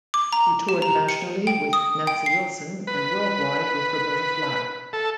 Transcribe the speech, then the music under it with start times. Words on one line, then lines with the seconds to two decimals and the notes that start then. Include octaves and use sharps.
He toured nationally with Nancy Wilson and worldwide with Roberta Flack.
0.14 D6
0.33 A#5
0.69 G4
0.82 A#5
1.09 C#7
1.47 G5
1.73 D#6
2.07 G5
2.26 C7
2.87 B4
4.93 A4